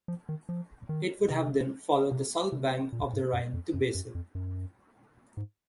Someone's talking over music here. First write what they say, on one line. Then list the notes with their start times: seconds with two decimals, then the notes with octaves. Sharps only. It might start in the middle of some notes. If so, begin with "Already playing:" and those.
It would have then followed the south bank of the Rhine to Basel.
0.08 F3
0.29 D#3
0.49 F3
0.89 D#3
1.30 C3
2.11 C3
2.52 C3
2.93 A#2
3.13 G#2
3.33 F#2
3.54 F2
3.74 F#2
3.95 F#2
4.15 F2
4.35 F#2
5.37 G#2